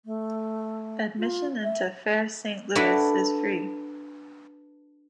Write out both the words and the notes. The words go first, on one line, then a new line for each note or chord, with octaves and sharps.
Admission into Fair Saint Louis is free.
A3
F4
E5
D4 E4 F#4 A4 B4 D5